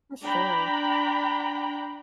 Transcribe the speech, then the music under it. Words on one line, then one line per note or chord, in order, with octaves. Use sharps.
Oh, sure.
D4 G5 A#5 B5